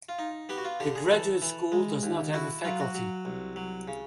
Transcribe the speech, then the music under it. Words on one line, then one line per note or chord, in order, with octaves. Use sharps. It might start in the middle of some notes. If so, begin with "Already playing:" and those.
The Graduate School does not have a faculty.
F4
D#4
B3 G4
F#4
F4
D3 G4
G#4
E3 A4
E3
G#3
D#2
E4 F#4
F#3 F4
F#4
F#3
C2
F#3
C#3